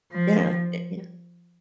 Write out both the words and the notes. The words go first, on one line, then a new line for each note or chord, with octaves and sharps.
Yeah, y yeah,
F3